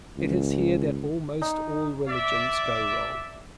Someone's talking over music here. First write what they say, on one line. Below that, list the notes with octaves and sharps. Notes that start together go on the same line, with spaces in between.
It is here that almost all religions go wrong.
C#2
D#4
D5 E5